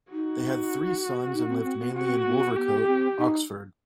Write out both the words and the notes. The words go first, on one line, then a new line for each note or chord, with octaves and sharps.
They had three sons and lived mainly in Wolvercote, Oxford.
D#4 F#4
D#4
C4
C4
B3
C4 F#4
B3
B3 G4
C4
D#4